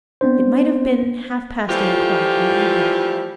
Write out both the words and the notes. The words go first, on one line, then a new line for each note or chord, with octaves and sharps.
It might have been half-past eight o'clock in the evening.
B3 C4 D4 C5
E3 F3 G3 A3 F4 G4